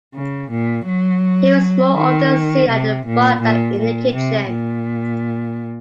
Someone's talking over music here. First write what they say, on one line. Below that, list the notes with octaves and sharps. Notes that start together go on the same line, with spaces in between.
He was more often seen at the bar than in the kitchen.
C#3
A#2
F#3
D#3
C3
A#2
A#2
A#2
C3
A#2